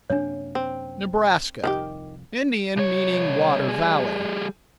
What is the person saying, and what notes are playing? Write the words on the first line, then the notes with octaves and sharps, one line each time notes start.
Nebraska--Indian; meaning "water valley."
F#2 C3 A#3 D4 C#5
C4
C2 F2 D#3 F4 G4
C2 C#5
G3 G#4